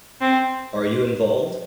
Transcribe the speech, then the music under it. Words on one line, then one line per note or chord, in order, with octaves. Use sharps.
Are You Involved?
C4